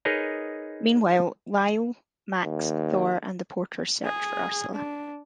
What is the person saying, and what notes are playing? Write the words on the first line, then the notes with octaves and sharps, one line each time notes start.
Meanwhile, Lyle, Max, Thor, and the porters search for Ursula.
D#4 G#4 A#4 B4 C#5 D#5
D#2
G#4
D4